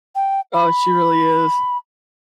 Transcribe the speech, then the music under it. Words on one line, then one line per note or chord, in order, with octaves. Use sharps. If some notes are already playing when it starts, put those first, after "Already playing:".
Oh, she really is.
G5
B5